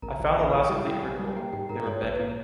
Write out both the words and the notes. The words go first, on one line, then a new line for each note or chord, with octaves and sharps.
I found the last of the Iroquois. They were begging.
A#1 A#4 A#5
A#1
A#1
A#1
G3 E4 E5
G3 G4 G5
A#1 G#4 G#5
G3
A#3 G4 G5
G#2 G4 G5
G#2 A#4 A#5
G#2 C#5
A#1 B4
A#3 C#5